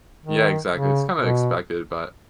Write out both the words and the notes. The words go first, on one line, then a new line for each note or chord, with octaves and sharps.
Yeah, exactly, it's kind of expected, but
D#3
C#3
B2